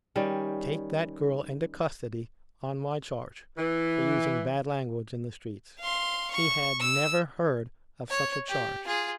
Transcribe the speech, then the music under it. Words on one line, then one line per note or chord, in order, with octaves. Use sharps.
'Take that girl into custody, on my charge, for using bad language in the streets.' He had never heard of such a charge.
D#3 G3 C#4
E3
F5 C6
C#6
E6
C#5
G4
F4 G#4